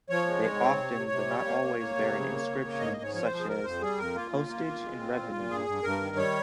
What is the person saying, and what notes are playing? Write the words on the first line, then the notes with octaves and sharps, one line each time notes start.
They often but not always bear an inscription such as "Postage and Revenue".
F3 C#5
G#3
G#2
C4
C3
C3
C3
G3
A#3
A#3
A#3
C3
C#3
A#3
C#3
A#3
G#2 D#5
G#2 D#5
C#5
F3 C#5
C5
F3
G#4
F2 A#4
F2 C5
G3 G#4
F2 A#4
A#3 F4
A#3
A#3
A#3
G#3
C4
A#2
A#2
G2 G#4
G2
G2 A#4
D#3
G3 C#5